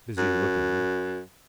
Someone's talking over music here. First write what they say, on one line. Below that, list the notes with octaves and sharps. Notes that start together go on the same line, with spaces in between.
Busy looking.
F#2